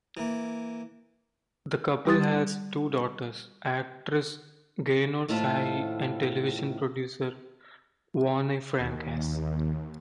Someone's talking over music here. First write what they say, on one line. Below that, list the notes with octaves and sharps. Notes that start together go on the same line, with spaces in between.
The couple has two daughters: actress Gaynor Faye and television producer Yvonne Francas.
E3 A#3
G3 G4 C6 D#6 A6
D#2 A2 E4 F4 C5 A5
D#2